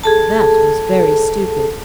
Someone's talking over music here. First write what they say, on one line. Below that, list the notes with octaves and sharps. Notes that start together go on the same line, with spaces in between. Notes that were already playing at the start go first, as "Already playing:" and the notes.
'That was very stupid.
G#4 A4 A5